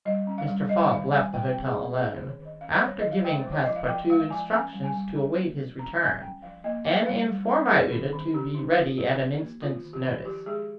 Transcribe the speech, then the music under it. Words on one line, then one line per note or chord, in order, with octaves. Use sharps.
Mr. Fogg left the hotel alone, after giving Passepartout instructions to await his return, and inform Aouda to be ready at an instant's notice.
G3 D#5
C#4
F5
G3
G3 D#5
D#3 F5
G3 G#5
F3 G5
G5
C4
G#4
G#3
C#4 G#4
C5
D#3
C#5
D#3
D#5
C#4 F5
C5
G3 C#5
D#3 D#5
F5
G#3 G5
C5
F3
C#5
F3 D#5
F5
F3 G5
G#3 F5
F3 G#5
C#4 G#5
G3
G#5
G3
C#4
A#3
F3
C#4 A#5
G3 G#5
C#4 G5
F3 F5
A#3 D#5
F3 G5
G3 F5
G3
C#4
A#4
C4 G#4
D#3
D#3
C#4 G4
D#3 D#4
D#3 F4
F3 G4
F3
A#3
D#3 F4
D#3
G4
D#3
F3 G4
G#3 G#4